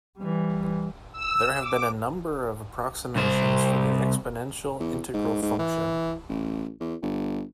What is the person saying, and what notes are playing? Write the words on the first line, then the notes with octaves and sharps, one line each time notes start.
There have been a number of approximations for the exponential integral function.
E3 G3
E6
D6
C2 C5
E2
G#2
G#2
E3
A1
E2
G1